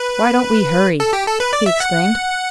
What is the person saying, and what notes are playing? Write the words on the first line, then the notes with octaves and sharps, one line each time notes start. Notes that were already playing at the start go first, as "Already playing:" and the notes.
"Why don't we hurry!" he exclaimed.
Already playing: B4
A4
G4
A4
B4
D5
E5
F#5